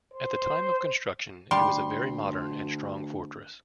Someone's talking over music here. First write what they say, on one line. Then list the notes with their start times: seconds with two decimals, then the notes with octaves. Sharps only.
At the time of construction it was a very modern and strong fortress.
0.14 C5
1.51 D2 G3 C6